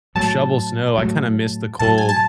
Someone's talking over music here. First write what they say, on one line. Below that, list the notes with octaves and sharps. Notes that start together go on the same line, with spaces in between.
shovel snow, I kinda miss the cold.
A2 F#3 A3 A5
A2 F#3 A3
A2 F#3 A3 A5
G#5
A5